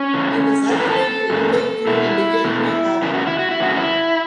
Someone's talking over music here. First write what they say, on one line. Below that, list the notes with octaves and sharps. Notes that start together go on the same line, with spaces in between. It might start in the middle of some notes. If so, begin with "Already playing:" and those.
He was activated in late June and began rehabbing.
Already playing: C#4
E2 C#3 E3
F#2 C#3 E3 A4
B4
A4
F#2 C#3
E2 B2 E4
E2 B2
E2 C#3 E4
F#4
E4
F#4
E4
E2 C#3 F#4
E4